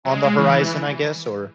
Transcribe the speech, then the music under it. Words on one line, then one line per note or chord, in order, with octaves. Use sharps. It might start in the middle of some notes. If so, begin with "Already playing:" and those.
on the horizon, I guess? Or
F#3
G#3
G#3
E3